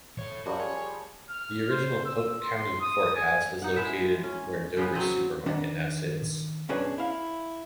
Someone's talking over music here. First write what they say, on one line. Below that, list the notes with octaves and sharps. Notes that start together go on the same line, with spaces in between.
The original Pope County Courthouse was located where Dover Supermarket now sits.
A4 C#5
F#2 F3 G3 F#4 G4
G#4 C#5 C6
F6
C5
E6
C6
D#6
G#5
D#4 F#5
G#3 E4 E5
C#4
C#3 G#3 B3
F#3 C4 D#5
D#3 D4 F#5
B1 F#2 C#4 D4 G#4 B4
E4 F5